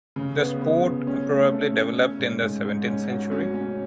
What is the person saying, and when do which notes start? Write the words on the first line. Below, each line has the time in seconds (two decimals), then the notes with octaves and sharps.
The sport probably developed in the seventeenth century.
0.16 C#3
0.39 B3
0.61 B3
0.84 C#3
1.07 C#4
1.29 A3
1.51 A3
1.74 C#4
1.97 C#4
2.19 G#2
2.42 G#2
2.65 G#2
2.87 C#4
3.09 F#4
3.32 C#4
3.54 C#4